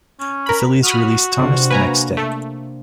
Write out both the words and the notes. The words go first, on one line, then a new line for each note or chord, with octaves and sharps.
The Phillies released Thomas the next day.
C#4
A#4 B5
F#4 B5 D#6 F6
B1 C3 D4 F4
A#3 B4 G#5 A#5
A3